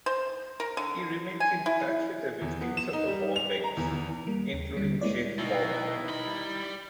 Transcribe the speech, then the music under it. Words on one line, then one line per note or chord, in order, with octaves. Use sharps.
He remains in touch with the victims of the bombings, including Jeff Bauman.
C5
A#4
D3
G#5
E4
E2
B3
E7
D#4
G3
F7
A#5
E2
E2
G3 A#3
D#2
D3 G3
G#3 A#3 B3 E4 C#5 D5
B2 D#3 D#4 E4
G3 B5